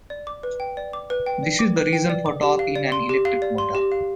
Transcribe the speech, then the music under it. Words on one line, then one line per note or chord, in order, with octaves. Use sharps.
This is the reason for torque in an electric motor.
D5
D6
B4
G5
D5
D6
B4
G5
D5
D6
B4
G5
D5
D6
G4
F5
D5
C6
G4
F5
D5
C6
G4
F5